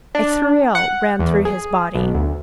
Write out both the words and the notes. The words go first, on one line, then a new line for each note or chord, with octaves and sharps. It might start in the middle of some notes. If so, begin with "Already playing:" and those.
A thrill ran through his body.
D4
F#5
E2
G#4
B1
D2